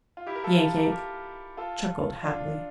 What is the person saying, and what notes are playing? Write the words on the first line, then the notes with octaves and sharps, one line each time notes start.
Yank-Yank chuckled happily.
F4
E4 G4
A#4
F4 A4
F4 A4
G4 A#4
G4 A#4
F4 A4
D4 F4